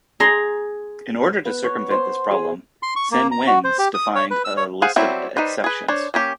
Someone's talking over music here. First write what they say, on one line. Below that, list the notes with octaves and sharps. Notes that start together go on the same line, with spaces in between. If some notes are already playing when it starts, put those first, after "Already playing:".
In order to circumvent this problem, Sin Wenz defined a list of exceptions.
G#4 A#5 C6
B3
C#5
C5
G#4
C6
C#6
A#3
A#5
F#4
C5
G4
D#6
C#5
B4
E6
C#5
G#4 C5 F5 F#5
F#3 G3 C4 E4
G3 D#4 B4 C5
G#4 B4
D4 C5 C#5
A#3 C#4 G4